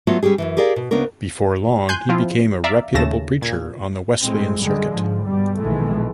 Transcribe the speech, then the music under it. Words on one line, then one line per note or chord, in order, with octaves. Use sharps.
Before long he became a reputable preacher on the Wesleyan circuit.
F#3 A3 B3 F4 F#4
G3 C#4 G4 G#4
F#2 A2 E3
G4 G#4 A#4 D5 F5
B2
D2 C#3 B3 D4 A#4
G#5 C6 F#6 G6
F3 C4 E4 F4
D5 E5 F5 A#5
D#2 C#3 A3 A6 A#6 E7
A#2 G#6
A2 G#3 C4
F#2 D3 G3 G#3
G#2 F3
G2 B2 G3
A#1 B2 D#3 E3 G#3 A3